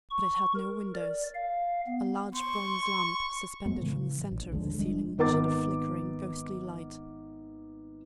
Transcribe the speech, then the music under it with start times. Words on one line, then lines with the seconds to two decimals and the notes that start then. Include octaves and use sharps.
But it had no windows--a large bronze lamp, suspended from the centre of the ceiling, shed a flickering, ghostly light.
0.10 C#6
0.55 A#4
0.95 D5
1.35 F5
1.87 B3
2.34 C6 C#6
3.65 F2 G#3 A3 B3
3.81 A2 C#3 E3
4.31 A#1
4.52 D#2 D3 F3 G#3
4.77 F1 G3 G#3 D4
5.18 G#1 B3 A#4 D6 A6